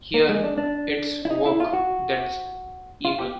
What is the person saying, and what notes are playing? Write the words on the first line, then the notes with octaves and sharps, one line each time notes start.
Here, it's "work" that's evil.
A#3
G#3
D4
D4
E4
D#4
E4
F4
F#4
F4
G4